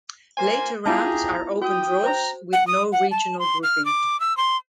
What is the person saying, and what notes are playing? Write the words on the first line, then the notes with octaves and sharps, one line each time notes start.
Later rounds are open draws with no regional grouping.
A#3 F4 C5 G#5
B3 E4 F4 G4 G#4 A5 A#5
F#4 G4 G5 D#6
C5 A#5
F#5
D#6
F#5
A5
C6
F6
D6
E6
C6